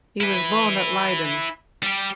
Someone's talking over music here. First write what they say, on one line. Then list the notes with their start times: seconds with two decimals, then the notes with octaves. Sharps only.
He was born at Leiden.
0.21 E4 B4
1.83 G3 G4